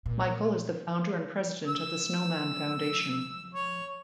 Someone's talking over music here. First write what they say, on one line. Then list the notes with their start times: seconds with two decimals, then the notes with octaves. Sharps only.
Michael is the founder and president of the Snowman Foundation.
0.06 A#2
1.67 E6
3.54 C#5